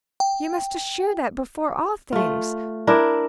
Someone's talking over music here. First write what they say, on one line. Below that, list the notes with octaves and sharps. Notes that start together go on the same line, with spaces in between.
You must assure that, before all things.
G5
A3 F4
D4 E4 A#4